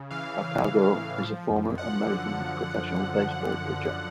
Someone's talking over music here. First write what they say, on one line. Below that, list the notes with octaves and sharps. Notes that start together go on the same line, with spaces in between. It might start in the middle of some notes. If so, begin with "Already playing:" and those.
Accardo is a former American professional baseball pitcher.
Already playing: C#3
E3 F5
E3
E3
A2
F3
F#2
F#2 F#5
D3